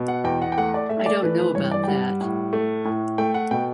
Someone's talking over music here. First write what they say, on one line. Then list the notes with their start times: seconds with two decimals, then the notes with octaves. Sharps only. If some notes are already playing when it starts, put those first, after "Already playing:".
I don't know about that.
Already playing: B2
0.08 F#5
0.24 E2 G5
0.42 F#5
0.52 G5
0.57 A3 F#5
0.74 D5
0.89 A3 E5
1.00 E5
1.06 D5
1.23 E3 B4
1.39 B4
1.55 G2 C#5
1.71 D5
1.84 G5
1.88 G3 F#5
2.21 A2
2.53 A3
2.85 A2
3.18 A3 G5
3.34 F#5
3.51 B2 G5